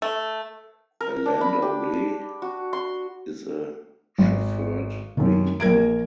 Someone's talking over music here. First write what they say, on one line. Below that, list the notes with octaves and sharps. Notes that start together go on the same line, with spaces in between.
A landaulet is a chauffeured vehicle.
A3
A#4
D4
B5
G4
F#4
C6
G#1
F#2 D#3
A#1 A#4 G#6 D7